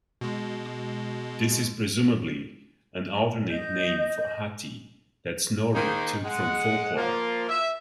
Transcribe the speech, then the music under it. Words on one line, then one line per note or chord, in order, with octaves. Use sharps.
This is presumably an alternate name for Hati that Snorri took from folklore.
B2 G#3
D#5 G6
D#3 G#3 A#3 D#4 G#4 C5
G#3 F#5
F3 A#3 F4
E5